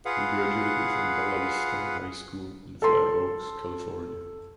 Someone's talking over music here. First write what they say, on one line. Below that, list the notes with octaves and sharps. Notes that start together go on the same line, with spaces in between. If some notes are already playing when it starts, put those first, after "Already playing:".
He graduated from Bella Vista High School in Fair Oaks, California.
F4 G#4 B4 F5 F#5
A4 C6